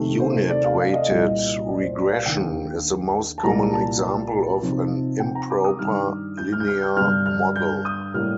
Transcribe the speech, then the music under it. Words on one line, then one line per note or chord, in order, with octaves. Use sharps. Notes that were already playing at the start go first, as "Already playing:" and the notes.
Unit-weighted regression is the most common example of an improper linear model.
Already playing: C3 D#3 A3
C5
D5
F5
F5
D5
D#5
C2 A#2 G3
D5
C5
D5
F5
D#2 D#3 A#3 D4 G5
A5
C2 A#2 G3 A#3 A#5
A5
C3 F3 C4 D#4
G5
A#5
D6
D#6
G2 D#3 G3 F6
G6
F6
G6
F6
G6
G2 D3 G3 D4 F6
F6
G6
D#6
A2 G3 A#3 F6